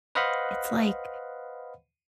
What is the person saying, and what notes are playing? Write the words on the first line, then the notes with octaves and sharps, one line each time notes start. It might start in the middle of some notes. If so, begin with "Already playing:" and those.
it's like
B4 C5 D#5 F5 F#5 B5